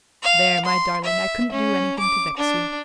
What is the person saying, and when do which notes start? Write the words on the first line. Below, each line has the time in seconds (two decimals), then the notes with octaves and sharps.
There, my darling, I couldn't do anything to vex you.
0.23 F5
0.65 C6
1.04 E5
1.52 C#4
1.99 D6
2.37 D4